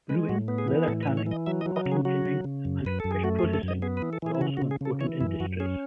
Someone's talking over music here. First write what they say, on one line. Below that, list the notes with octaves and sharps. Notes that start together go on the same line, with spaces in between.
Brewing, leather tanning, cotton ginning, and fish processing are also important industries.
G#3 B4
A2 F#4
B3
G#4
E3
G#4
A2 A4
B4
E3
C#5
E3 D#5
F#3 E5
D#5
F#3
D#5
C#3
G#4
F#3 F#4
C#3
C#3
F#2
F#2 B4
F#2 A4
G#4
A3 F#4
G#4
F#2
A4
F#2 D#5
B3 G#4
B4
E3
A4
E3 G#4
E4
C#3 F#4
F#4
C#3
G#4
C#3 A4
E3 C#5
F#2 E4
F#2 F#4
C#4 G#4